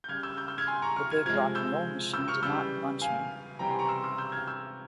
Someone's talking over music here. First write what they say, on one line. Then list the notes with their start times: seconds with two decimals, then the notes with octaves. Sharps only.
The big rock 'n' roll machine did not munch me.
0.04 G6
0.09 C#3 G3 F6 G#6
0.23 E6 G6
0.37 E6 G6
0.48 E6 G6
0.58 F6 G#6
0.67 G#5 C6
0.82 A#5 C#6
0.96 C#6 F6
1.11 F6 G#6
1.25 C3 F3 G#3 F6 G#6
1.55 E6 G6
2.13 E6 G6
2.28 C#6 F6
2.42 C#3 E3 G3 E6 G6
3.02 F5 G#5
3.59 C3 E3 G3 G5 A#5
3.69 G#5 C6
3.79 A#5 C#6
3.89 C6 E6
4.03 C6 E6
4.18 E6 G6
4.32 F6 G#6
4.48 E6 G6